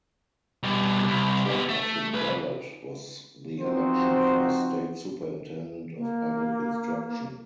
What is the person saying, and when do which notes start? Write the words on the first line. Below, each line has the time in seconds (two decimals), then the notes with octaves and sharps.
The top of the ballot was the election for state Superintendent of Public Instruction.
0.63 B2 G3
1.07 C2
1.46 B3 G4
1.69 A3
2.14 C2 B4
3.61 F3 C4 D#4 F#4 C5
5.97 A#3